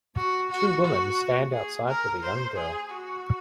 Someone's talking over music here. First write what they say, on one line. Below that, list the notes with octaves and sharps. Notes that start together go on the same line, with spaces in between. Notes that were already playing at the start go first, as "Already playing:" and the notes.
Two women stand outside with a young girl.
F#4
F#4
F#4
G#4
A#4
C5
G#4
F#4